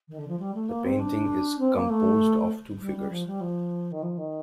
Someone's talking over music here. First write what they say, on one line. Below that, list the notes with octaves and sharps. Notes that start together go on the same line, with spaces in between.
The painting is composed of two figures.
D#3
D3
F3
G3
A3
A#3
C4
D4
C4
A#3
A3
G3
G3
F3
G3
F3
D#3
F3
D#3